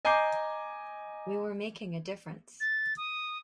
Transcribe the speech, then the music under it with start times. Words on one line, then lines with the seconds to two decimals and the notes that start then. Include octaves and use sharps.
We were making a difference.
0.05 D#5 G#5 A#5 D6 G6 C7
2.60 A6
2.97 D#6